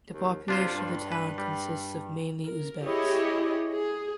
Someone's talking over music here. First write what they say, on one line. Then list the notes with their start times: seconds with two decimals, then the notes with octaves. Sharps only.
The population of the town consists of mainly Uzbeks.
0.12 D#2
0.48 C3 D4 F4 C5
0.73 G2
1.12 B4
1.38 G3
2.44 A#4
2.85 E4 G4 G#4 C#5 D#5
3.71 G#4